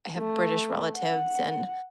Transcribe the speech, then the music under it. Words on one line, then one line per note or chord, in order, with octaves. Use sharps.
I have British relatives, and
A3
F#5